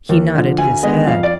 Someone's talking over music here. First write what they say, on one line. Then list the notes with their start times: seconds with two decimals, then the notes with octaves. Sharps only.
He nodded his head.
0.09 D#2
0.35 D3 F3
0.58 D2 G#5
0.83 D3 G#3 B3 D#5
1.07 F2 F5
1.23 D5